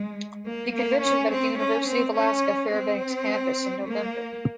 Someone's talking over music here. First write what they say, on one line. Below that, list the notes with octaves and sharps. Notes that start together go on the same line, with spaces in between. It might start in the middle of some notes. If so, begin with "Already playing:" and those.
The convention met at the University of Alaska Fairbanks campus in November.
Already playing: G#3
A#3
A#3
C#4
C4
C#4
C4
C#4
C4
A#3